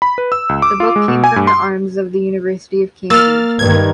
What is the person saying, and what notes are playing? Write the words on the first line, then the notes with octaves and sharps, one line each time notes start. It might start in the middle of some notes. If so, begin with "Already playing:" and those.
The book came from the arms of the University of Cambridge.
B5
B4
E6
C#2
D6
F4
G#3
B2
G#5
G2
C6
A#3 E6 F6 A6
G2 D#3 G#6